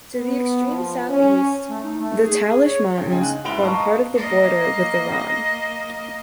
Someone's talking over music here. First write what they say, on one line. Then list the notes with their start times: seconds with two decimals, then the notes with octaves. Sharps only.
To the extreme southeast, the Talysh Mountains form part of the border with Iran.
0.16 B3
0.66 F3
1.09 C#4
1.69 A3
1.83 D#4
1.99 A3
2.21 G#4
2.42 G#4
2.64 C#5
2.97 C#2 G5
3.10 C#3 D#4 G#5
3.23 F#6
3.44 G#2 E4 B4 D7 F7 G7
3.63 D#5 F5 A5 A#5 C#6
4.14 A#3 D#5